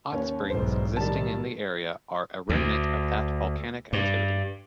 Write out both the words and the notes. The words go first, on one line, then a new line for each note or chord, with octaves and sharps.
Hot springs existing in the area are a remnant of that volcanic activity.
D#2 C#4
B1 E2 G#2 C5
A2 D#3 G3 A5
D2
G2